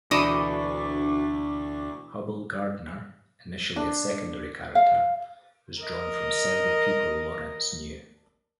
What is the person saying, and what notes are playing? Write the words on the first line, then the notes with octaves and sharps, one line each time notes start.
Hubbell Gardiner, initially a secondary character, was drawn from several people Laurents knew.
D2 B2 E3 D4 D#5 C#6 D6
D4
F5
A#4 D#5